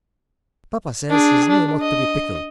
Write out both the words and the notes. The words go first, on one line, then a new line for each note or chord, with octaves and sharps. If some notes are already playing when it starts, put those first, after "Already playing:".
"Papa says his name ought to be Pickle."
D4 G#4
D4
D#5